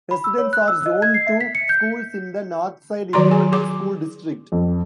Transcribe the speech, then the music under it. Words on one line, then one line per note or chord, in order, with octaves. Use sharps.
Residents are zoned to schools in the Northside Independent School District.
B5
E6
C#5
F#6
E6
D#5
G#6
C7
E5
B6
C#7
G6
D#3 F#3 F#4 D5 A#5 C6
G#4 G#5
G#4 D6
F2